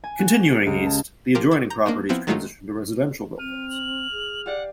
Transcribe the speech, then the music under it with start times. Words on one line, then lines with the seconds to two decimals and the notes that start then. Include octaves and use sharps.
Continuing east, the adjoining properties transition to residential buildings.
0.04 G#5
0.19 F#4
0.39 G4
0.67 C#2
0.86 A5
1.35 F3 F4 G4 A#4
1.51 E4 G#6
1.70 A#5 G6
1.86 A#3 D4 D#4
2.09 F3 B3 C4 E4
2.27 D#3 F#3 G#3 A3 D#4 F4
3.39 C4 F6 D#7
3.70 F#7
4.13 G#4
4.46 G4 D5 F5 F#5